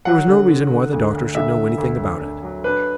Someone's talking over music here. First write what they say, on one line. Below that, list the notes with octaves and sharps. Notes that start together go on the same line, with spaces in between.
There was no reason why the doctor should know anything about it.
F#3 F#5
D3
D3
D3
D2
D2
D3 E5
D3
D2
D2
D4
F#3
D4 B4